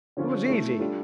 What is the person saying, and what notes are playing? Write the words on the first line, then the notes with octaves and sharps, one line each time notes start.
It was easy.
D3 F3 C#4 F4
A3 E4 A4
G3 D4 F4 A4